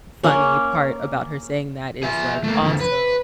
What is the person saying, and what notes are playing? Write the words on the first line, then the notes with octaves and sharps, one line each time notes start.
funny part about her saying that is, like, also
A#3 C#4
G#4 E5
A3 A#3
F2 D3
B4